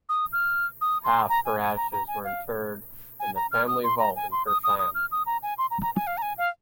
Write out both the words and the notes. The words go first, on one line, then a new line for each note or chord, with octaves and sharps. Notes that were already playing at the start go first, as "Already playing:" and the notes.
Half her ashes were interred in the family vault in Hersham.
D#6
F6
D#6
C6
A#5
G#5
G#5
A#5
A#5
G#5
F5
G#5
A#5
F6
D#6
C6
A#5
G#5
C6
D#6
D#6
D#6
F6
D#6
A#5
G#5
C6
A#5
A#5
G#5
F5
A#5
G#5
F5